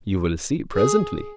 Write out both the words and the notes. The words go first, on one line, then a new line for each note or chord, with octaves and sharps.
"You will see presently."
G#4